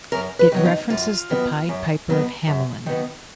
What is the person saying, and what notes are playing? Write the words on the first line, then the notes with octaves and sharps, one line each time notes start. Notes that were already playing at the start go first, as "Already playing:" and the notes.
It references the Pied Piper of Hamelin.
F#2 A#4
B4
D#3 F#3 B3
D#4
F#2 F4
D#3 F#3 B3
F#2
D#3 F#3 B3
F#2
D#3 F#3 B3